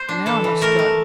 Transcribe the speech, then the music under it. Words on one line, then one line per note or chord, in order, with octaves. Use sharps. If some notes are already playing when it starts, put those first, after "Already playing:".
And now I must go.
Already playing: C5
D4
E3 A4
E3
A3 A#4
A3